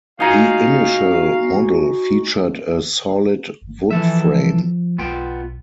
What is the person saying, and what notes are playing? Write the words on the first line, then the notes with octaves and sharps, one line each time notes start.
The initial model featured a solid wood frame.
D#4 F4 F#4 G#4 F5 G#5 A#5
G1
E3 F3 A4 E5
B1 B3 F4 G5